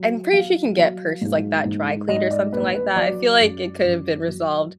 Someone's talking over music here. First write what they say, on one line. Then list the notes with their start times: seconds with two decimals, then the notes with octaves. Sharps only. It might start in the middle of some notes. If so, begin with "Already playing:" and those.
I'm pretty sure you can get purses like that dry cleaned or something like that, I feel, like, it could've been resolved
Already playing: F#3
0.33 F#3 F5
0.77 F#3
1.21 G#2
1.65 G#2
2.08 G#2 D#5
2.31 D5
2.53 A#1 B4
2.75 B4
2.96 F#3 D5
3.40 F#2
3.84 F#2
4.28 F#3